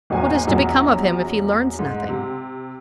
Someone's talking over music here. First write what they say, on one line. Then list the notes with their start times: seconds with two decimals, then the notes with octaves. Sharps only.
"What is to become of him if he learns nothing?"
0.10 G#1 E2 A#2 F#3 G#5
0.47 A#1 E2 F#3
1.79 G#2
2.09 C3